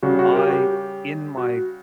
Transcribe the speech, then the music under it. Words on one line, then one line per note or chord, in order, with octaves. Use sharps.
I, in my
C#3 G3 F#4
F#4
A#4
G4
F#4
G4
F#4